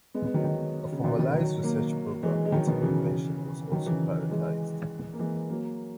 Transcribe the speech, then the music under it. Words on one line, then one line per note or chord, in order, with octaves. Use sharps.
A formalized research program into prevention was also prioritized.
G#3 B3
G#3 B3
D#3 F#3
D#3 F#3
C#3
B2 D#3
B2 D#3
D#3 F#3
F#3 A#3
E3 G#3
G#3
D#3 F#3
B2 D#3
C#3 E3
D#3 F#3
C#3 E3
E3 G#3
A#3
E3 G#3
F#3 A#3